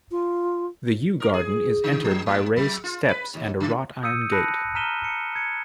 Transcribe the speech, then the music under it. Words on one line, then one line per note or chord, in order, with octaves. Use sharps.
The Yew Garden is entered by raised steps and a wrought-iron gate.
F4
A#4
G#4
D3
F3
A2
F#3
F4
B4
D#2
C#3
D#6 E6 G6 C#7 D#7
A5 B5 F#6 A#6 C#7 D#7
A#5 F6 B6 D#7 E7 G7
C#7
G#6 C#7